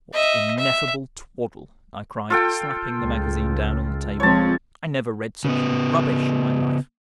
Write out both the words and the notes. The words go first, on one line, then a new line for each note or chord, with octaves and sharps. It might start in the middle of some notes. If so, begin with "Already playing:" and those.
"What ineffable twaddle!" I cried, slapping the magazine down on the table, "I never read such rubbish in my life."
D#5 E5
E5
F4 A4 G5
C#2
F3 G#3 C4 C#5 A5
C#3 B3